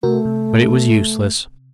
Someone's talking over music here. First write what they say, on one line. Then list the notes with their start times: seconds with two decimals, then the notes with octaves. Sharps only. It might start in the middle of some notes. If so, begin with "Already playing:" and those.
But it was useless.
0.03 C3 A3 F#4 A#4
0.25 C3